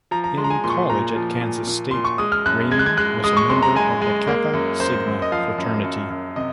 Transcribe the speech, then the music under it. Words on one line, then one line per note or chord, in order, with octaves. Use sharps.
In college at Kansas State, Ramey was a member of the Kappa Sigma Fraternity.
F3 A#5
A#5
G#3 C6
A#5
G#5
A#2 C6
C#6
C6
A#2 A#5
F3
A#2
A#2
A#2 C6
C#6
G#3 D#6
F6
F#2 F#6
G#3 G#6
F#6
G#6
G#3 F#6
G#3 D#6
C#6
F#2 C6
A#5
G#3 G#5
G#3
A#3
F#2
F#2 C5
F#2
D#5
F3 F5
F#2
F#2
F#2
C3 D#5